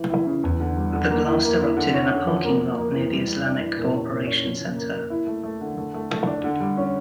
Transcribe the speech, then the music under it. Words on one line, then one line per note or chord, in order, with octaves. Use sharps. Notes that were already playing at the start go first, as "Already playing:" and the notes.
The blast erupted in a parking lot near the Islamic Cooperation Centre.
Already playing: E3 E4
E4
C#3
E2
D3
G3
D3
A#3
E4
A#3
E4
D3
C#4
D3
F3
A#3
A#3
A#3
E3
G3
G3
D4
E3
A#2
C#4
A#2
C#4
F3
C#3
A#3
A#3
E4
A3
A3
D3
A3
A3
A3
D4
D3
G3
C#4